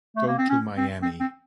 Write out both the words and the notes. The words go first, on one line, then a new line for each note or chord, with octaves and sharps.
Go to Miami.
A3
A#3
C4
C#4
C4
C4
C4